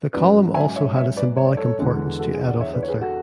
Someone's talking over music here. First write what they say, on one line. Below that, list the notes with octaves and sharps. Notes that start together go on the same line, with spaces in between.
The column also had a symbolic importance to Adolf Hitler.
G#2 F#3 C#4 B4 D5
E5 G#5
C#5 E5
C#5 E5
B4 D5
C#5
D5
A4 C#5
E2 D3 G#3
F#4 A4
G#4
D5 F#5
C#5 E5
B4 D5
C#5
G#4 B4
F#4 A4